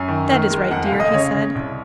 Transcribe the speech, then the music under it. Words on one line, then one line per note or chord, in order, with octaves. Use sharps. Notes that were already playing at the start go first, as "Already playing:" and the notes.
"That is right, dear," he said.
Already playing: F#2 G#5
D#3
D#3
G#3
F2 F#5
F5
F1
D#5
C#3 C#5
C#3
C2